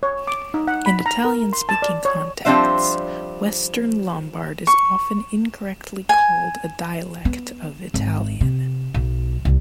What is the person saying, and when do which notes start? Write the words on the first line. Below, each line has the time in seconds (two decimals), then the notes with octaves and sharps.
In Italian-speaking contexts, Western Lombard is often incorrectly called a dialect of Italian.
0.03 C#5
0.28 D6
0.54 D#4
0.68 F#5
0.86 B5
1.06 A#5
1.25 A#4
1.53 C6
1.69 A5
1.82 D5
2.05 C#5
2.45 F3 G3 C4 D4 C5 E5
4.67 C#6
6.09 G#5
7.25 B3
7.94 G#1
8.41 C3
8.94 B1
9.45 C2